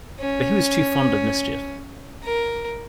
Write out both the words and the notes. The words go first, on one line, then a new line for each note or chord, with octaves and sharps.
But he was too fond of mischief.
C#4
A#4